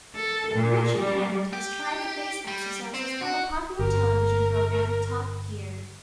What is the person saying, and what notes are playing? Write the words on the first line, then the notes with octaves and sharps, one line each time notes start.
Richard Hammond has tried the face exercises on the popular television program Top Gear.
A4
A#2
G3
G4
G3
C4
F#4
G1 A#4